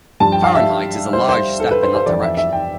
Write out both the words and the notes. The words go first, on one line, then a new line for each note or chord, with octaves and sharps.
Fahrenheit is a large step in that direction.
G2 F3 A5
G5
F5
E5
C5
C5
A4
B4
C5
C5
F2 E3 D5
E5
E5
G5